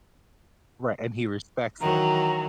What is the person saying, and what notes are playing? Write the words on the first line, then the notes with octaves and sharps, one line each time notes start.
Right, and he respects it.
D#3 E3 F#3 A#5